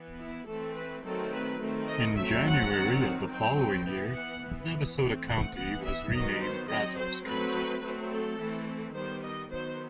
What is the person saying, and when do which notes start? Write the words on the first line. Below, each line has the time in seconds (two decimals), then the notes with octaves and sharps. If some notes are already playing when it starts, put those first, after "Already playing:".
In January of the following year Navasota County was renamed Brazos County.
Already playing: E3 B3
0.19 E4
0.47 E3 A3 C4 A4
0.75 B4
1.03 D#3 F#3 A3 C4 A4
1.31 B4
1.60 D#3 A3 C4
1.88 D#5
2.16 F#3 A3 C4 E5
2.45 F#5
2.73 D#3 F#3 C4
3.29 F#3 C4 G5
3.86 E3 B3
4.14 F#5
4.42 E3 B3
4.99 E3 A3 C4
5.27 F#5
5.55 E3 B3 F#5
5.84 E5
6.12 D#3 F#3 B3 D#5
6.40 C5
6.68 F#3 C4 D#5
6.97 C5
7.25 F#3 A3 C4 B4
7.82 F#3 A3 C4
8.09 A4
8.38 E3 A3 C4
8.94 D#3 G3 B3 C5
9.23 D#5
9.51 D#3 F#3 B3 C5